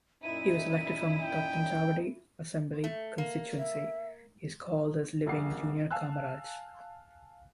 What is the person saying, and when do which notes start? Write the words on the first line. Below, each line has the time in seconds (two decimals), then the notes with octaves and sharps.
He was elected from Thattanchavady assembly constituency.He is called as living Junior Kamaraj.
0.23 F#2 A#2 D#4 E4 D#7
1.21 G5
2.84 A3
3.18 A#3
3.58 E5
5.26 D#1 A#1 A#3 F#5 C7
5.91 F5 G#5 A5 E6 F#6